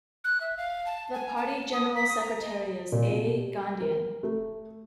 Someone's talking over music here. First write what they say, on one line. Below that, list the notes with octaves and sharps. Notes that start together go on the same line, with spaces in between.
The party general secretary is A. Gandhian.
F#6
E5
F5
A5
G#5
A5
D#6
B6
D#6
A#5
D#5
A#2
B2
G4
A#4
A3